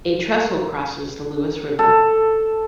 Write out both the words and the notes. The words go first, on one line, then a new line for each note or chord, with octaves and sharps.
A trestle crosses the Lewis River.
A4